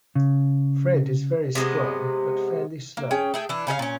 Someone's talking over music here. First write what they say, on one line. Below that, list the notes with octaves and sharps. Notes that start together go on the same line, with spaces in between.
Fred is very strong, but fairly slow.
C#3
C3 G#3 B3
A#3
C#4 G#4 G5
A3 G#4 G5
E3 D4
C#3 C#4 A4 F5
A#2 C#4